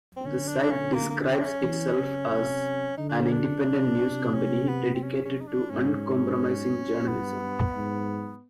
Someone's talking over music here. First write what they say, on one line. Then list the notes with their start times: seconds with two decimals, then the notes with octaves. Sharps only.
The site describes itself as "an independent news company dedicated to uncompromising journalism".
0.17 C4
0.25 D3 C#4
0.48 D4
0.64 D4
0.71 C#4
0.94 A#3
1.10 A#3
1.21 C#4
1.27 C4
1.40 D4
1.45 C#4
1.61 E3
1.96 C#3
2.29 C3
2.97 D3 D#4
3.09 D4
3.21 C#4
3.32 D4
3.66 C3
4.34 C#4
4.68 B3
4.95 C4
5.03 C#4
5.26 C#4
5.41 D#4
5.47 D4
5.70 G#2 C#4
7.07 G2 B3
7.75 G#2